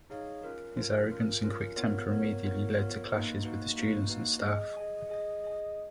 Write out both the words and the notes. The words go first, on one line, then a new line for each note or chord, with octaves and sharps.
His arrogance and quick temper immediately lead to clashes with the students and staff.
D#4 G#4 C#5 F5
C#4 F4 A#4
C#4 F4 A#4
C#4 F4 A#4
C#4 F4 A#4
B3 F4 A#4 C#5
B3 F4 A#4 C#5
B3 F4 A#4 C#5
B3 F4 A#4 C#5
A#3 D#4 F#4 B4
A#3 D#4 F#4 B4
A#3 D#4 F#4 B4
A#3 D#4 F#4 B4
G#4 D#5 G#5
G#4 D#5 G#5
G#4 D#5 G#5
G#4 D#5 G#5